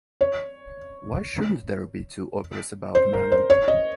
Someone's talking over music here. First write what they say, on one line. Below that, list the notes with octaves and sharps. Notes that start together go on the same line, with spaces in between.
Why shouldn't there be two operas about Manon?
C#5
C5
A#4
C5
C#5
D#5